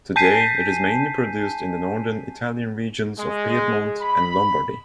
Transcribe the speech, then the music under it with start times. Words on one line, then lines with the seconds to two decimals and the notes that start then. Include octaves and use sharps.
Today, it is mainly produced in the northern Italian regions of Piedmont and Lombardy.
0.16 G#5 A5 G6 B6 C7 D#7
3.19 G#3
4.01 B5